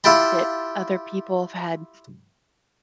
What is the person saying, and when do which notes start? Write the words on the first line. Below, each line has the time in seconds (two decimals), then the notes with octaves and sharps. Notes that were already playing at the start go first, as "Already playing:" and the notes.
that other people have had
0.04 E4 F4 G4 G5 A5 B5